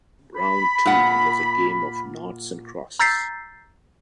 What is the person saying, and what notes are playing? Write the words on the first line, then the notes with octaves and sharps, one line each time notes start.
Round two was a game of noughts and crosses.
B5
A#2 F#5
A#5 E6 G6 A6 B6 C7